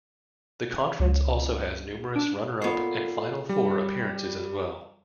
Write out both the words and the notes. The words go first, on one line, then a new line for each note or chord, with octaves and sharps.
The conference also has numerous runner-up and final four appearances as well.
C#2
D4
A#2 B3 F4 A4 C#5 C7
G3